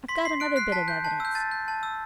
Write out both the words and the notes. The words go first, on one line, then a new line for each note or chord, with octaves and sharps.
I've got another bit of evidence.
C6 B6
C6 C7
F#6 D7
F#6 C7
A5 B6
G6
A5
E6 G6
A5 A6
G6
A5
E6